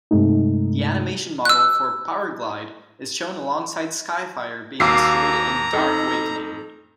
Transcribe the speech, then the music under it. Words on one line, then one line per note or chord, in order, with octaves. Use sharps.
The animation model for Powerglide is shown alongside Skyfire being destroyed in "Dark Awakening".
G2 C3 G#3 A3 D#4
E6 F#6
D#2 F#4 F5 A#5 D6 E6 C7
F2 D#4 A4